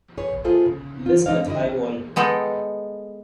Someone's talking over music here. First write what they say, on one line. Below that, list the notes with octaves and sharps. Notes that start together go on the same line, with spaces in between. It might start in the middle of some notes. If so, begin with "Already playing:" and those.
Listen at high volume.
G#4 B4 C#5
A#3 E4 F4 G#4 A4 C5
C#3
F4
G#3 D4 D#4 D#5 F5
D3 D4 E4 F#4 D#5
G#3 B3 A4 D#5 G5